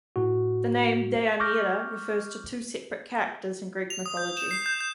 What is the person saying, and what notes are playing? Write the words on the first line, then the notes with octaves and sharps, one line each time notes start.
The name Deianira refers to two separate characters in Greek mythology.
A2 F#4
C#6 D6 F6 G6 A#6
F7
D#6
G6
E7
C7
G6
G6